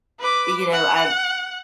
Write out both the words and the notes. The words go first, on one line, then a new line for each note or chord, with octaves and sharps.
and you know, I
B4 D6
F#5